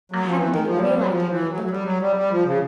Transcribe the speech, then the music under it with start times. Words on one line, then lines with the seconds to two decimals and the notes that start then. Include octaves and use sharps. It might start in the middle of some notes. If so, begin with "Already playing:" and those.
I hadn't any real idea what it looked like.
0.12 F#3
0.25 F3
0.37 E3
0.50 D#3
0.65 F3
0.75 F#3
0.80 G3
0.95 F#3
1.10 F3
1.30 E3
1.50 F#3
1.64 F#3
1.70 G3
1.85 F#3
2.00 G3
2.16 G3
2.30 F3
2.45 C#3